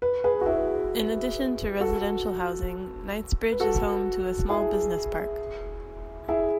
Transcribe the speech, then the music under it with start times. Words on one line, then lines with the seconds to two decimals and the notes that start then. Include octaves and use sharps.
In addition to residential housing, Knightsbridge is home to a small business park.
0.02 B4
0.24 G#4 B4
0.41 F#4
0.46 E4 G#4
1.81 F#4 A4
3.52 B4
3.60 F#4 A4
4.49 E4 G#4
6.29 E4 G#4